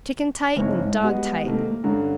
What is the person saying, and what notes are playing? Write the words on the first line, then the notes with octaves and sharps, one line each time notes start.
Chicken-tight and dog-tight.
F#1 G2 C4 D#4 C#5
G#2
G3 G#3 B3 F#4 G#4
C3 D#3 A3 A#3
A#3
G2 D3 C#4 A#5